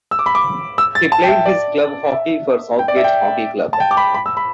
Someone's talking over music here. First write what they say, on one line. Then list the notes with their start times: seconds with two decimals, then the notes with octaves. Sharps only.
He played his club hockey for Southgate Hockey Club.
0.11 E6
0.19 D6
0.26 B5
0.35 D6
0.78 E6
0.95 A6
1.12 A5
1.23 G5
1.28 E5
1.46 D5
2.13 E5
2.79 G5
2.88 D5
2.97 E5
3.04 G5
3.73 A5
3.80 G5
3.91 D6
3.97 B5
4.14 B5
4.26 E6
4.37 B5